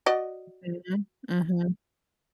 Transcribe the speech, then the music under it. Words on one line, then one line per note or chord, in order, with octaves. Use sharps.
Mhm. Mhm.
F#4 D5 D#5